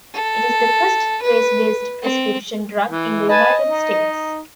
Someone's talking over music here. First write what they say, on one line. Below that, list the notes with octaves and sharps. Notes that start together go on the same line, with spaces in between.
It is the first race-based prescription drug in the United States.
A4
B4
C4
E3
B4 D#5 G#5 A5
D#4